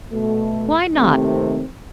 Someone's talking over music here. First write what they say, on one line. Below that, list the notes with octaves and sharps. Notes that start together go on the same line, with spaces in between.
Why not?
B2 A3
D#2 C3 D#3 A3 C4